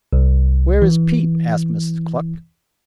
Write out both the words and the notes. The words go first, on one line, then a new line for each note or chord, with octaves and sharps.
'Where is Peep?' asked Mrs. Cluck.
C2
E3